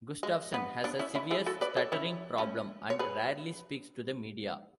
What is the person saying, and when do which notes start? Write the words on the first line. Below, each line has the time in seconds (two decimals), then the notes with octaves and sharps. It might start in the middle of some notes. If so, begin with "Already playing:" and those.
Gustafson has a severe stuttering problem and rarely speaks to the media.
0.23 G#3
0.54 B3
0.84 B3 D4
0.99 C#4 E4
1.15 C#4 E4
1.31 E4 G#4
1.46 F#4 A4
1.61 B4 D5
1.77 A4 C#5
1.92 C#4 E4
2.38 A3 C#4
2.90 C#5
2.99 G#4 B4